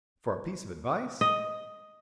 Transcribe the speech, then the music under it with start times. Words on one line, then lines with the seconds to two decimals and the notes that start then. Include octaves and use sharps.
For a piece of advice!
1.21 D#5